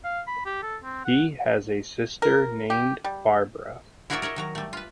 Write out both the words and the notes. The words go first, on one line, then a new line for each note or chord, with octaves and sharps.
He has a sister named Barbara.
F5
B5
G4
A4
C4
F#5
A#4
G4
G3
E4 F#4 G#4 A#4 D5 E5
A#4 C#5 D#5 E5
D#3 F#3 A#5
G3 A3
F4 B4